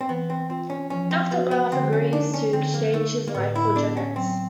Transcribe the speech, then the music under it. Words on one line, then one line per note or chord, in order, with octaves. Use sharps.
Doctor Garth agrees to exchange his life for Janet's.
C4
E3 B3
C4
C4 F4
C#4
F3 C#4
C4
B3 F#4
B3
D3 C4
C#4
D4 D#4
C#4
D3 C4
A#3
A3 D#4
A#3
A2 B3
E4
B3 D4
C#4
F#3 C4